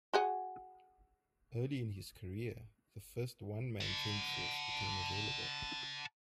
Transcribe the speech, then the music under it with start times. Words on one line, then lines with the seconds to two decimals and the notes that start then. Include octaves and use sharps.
Early in his career, the first one-man chainsaws became available.
0.14 F#4 G#4 F#5
3.81 F#5 A5